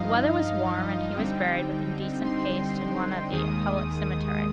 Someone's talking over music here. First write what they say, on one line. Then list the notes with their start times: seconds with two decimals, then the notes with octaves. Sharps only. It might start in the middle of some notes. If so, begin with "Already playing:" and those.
The weather was warm, and he was buried with indecent haste in one of the public cemeteries.
Already playing: G2 F3 D#4 D#5 F5
0.62 F5
1.16 D3 G3 C4 D#4 G5
2.24 C6
3.31 D#2 D#3 G#3 D#6